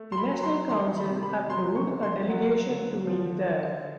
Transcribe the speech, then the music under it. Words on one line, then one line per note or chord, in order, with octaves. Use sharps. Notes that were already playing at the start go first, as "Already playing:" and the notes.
The National Council approved a delegation to meet there.
Already playing: A3
C6
B5
F#3
C6
D#3 C6
B5
C3
B5
F#3 C6
C#6
C#3
C6
F#3 F#5
D3
F3
D3